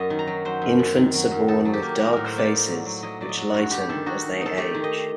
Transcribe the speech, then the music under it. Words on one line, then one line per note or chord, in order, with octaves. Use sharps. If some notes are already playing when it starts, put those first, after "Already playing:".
Infants are born with dark faces, which lighten as they age.
Already playing: F#2 F#3 D#5
D#3
A#5
F#3
F#3 C5
F#2
F#2
D#3
F#3
F#2
D#4 A4
F#3
G4
A#3
F#3 A#4
A2 A#4
C5
A#3 D5
D#4
F#3
F#3
F#3 D#5
F#3 D5
D#5
F#3
G2 F#4
A3 G4
D#3 A4
D#4 F#4
D#4
D#4 A4
A3 G4
D#3
D#5